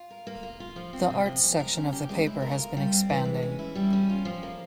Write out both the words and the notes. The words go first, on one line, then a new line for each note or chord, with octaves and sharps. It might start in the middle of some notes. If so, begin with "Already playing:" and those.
The arts section of the paper has been expanding.
Already playing: F4
A#4
A#3
F4
F4
F3
C4
C3
F3
G#3
A#4
C#4
G4
G#3
E4
A#4
F4
G3
C4
E3
G#3
C#4
E4
G3
C#4
F4
F3
A#3